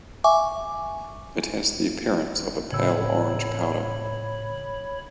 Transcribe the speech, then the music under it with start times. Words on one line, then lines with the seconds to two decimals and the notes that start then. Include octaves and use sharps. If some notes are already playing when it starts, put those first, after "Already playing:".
It has the appearance of a pale orange powder.
0.24 E5 G#5 C#6 D6
2.72 A2 C#3 C#5 B5 E6